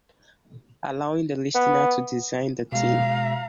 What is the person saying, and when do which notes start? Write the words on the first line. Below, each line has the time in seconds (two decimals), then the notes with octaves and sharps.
Allowing the listener to design the theme.
1.55 B3
2.72 B2 G#3 F5 A#5